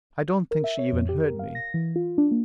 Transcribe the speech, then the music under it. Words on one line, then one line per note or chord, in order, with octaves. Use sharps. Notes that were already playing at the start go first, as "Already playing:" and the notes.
I don't think she even heard me.
A#4
E5
C#5
F2
G4
A#4
F5
A#6
E3
F4
D4
A#3